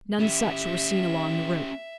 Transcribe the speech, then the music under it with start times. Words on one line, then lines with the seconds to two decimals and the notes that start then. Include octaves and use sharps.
None such were seen along the route.
0.19 C#4 G4 E5